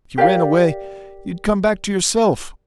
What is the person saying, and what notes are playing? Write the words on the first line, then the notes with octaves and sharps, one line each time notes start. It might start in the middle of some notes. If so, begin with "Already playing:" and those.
If you ran away, you'd come back to yourself.
G4 A#4 D5 F5